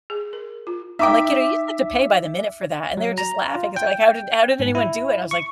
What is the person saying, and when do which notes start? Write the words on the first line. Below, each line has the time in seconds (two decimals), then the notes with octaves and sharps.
I'm like, "You know, you used to have to pay by the minute for that," and they were just laughing 'cause they're like, "How did how did anyone do it?" and I was like,
0.10 G#4
0.33 A#4
0.67 F4
0.99 D#4 E5 G5 D6
2.97 F#3
3.18 A#5
3.56 F4
3.76 G5
4.60 G#2
4.75 E4
5.31 C#6